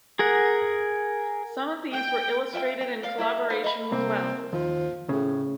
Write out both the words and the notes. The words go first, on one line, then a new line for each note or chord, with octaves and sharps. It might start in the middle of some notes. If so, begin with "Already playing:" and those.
Some of these were illustrated in collaboration with Wells.
G#4 A#4 F#5
G5
F4 E5 F#5 G5
G5
A#4 D5 F5
E4 G4 E5
D#4 B4 C5 F5
D#5 B5
C2 A#3 C4
D#2 F3
A2 C#3